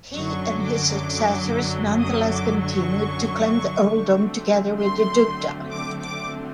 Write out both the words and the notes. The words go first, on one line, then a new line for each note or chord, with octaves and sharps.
He and his successors nonetheless continued to claim the Earldom together with the Dukedom.
F#2 D3 F#3 C#6
D6
D#6
D6
C#6
D3 F#3 A3 C4
C6
D6
D6